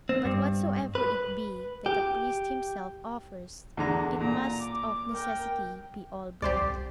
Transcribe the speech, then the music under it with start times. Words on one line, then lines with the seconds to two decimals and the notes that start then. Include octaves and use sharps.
But whatsoever it be that a priest himself offers, it must of necessity be all burnt.
0.09 C4
0.25 G2
0.95 B4
1.86 G4
3.77 E2 D3 A#5
4.21 A#2 A#5
4.61 D6
5.11 A#4 G5
6.42 C2 G4 C5 D5
6.62 C2